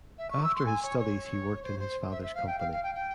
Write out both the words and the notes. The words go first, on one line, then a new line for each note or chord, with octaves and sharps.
After his studies, he worked in his father's company.
E5
C#6
E6
C6
G#5
C#5
C#5
C5
C5
E5
E5
F5
G5
F5
F5
G5
G5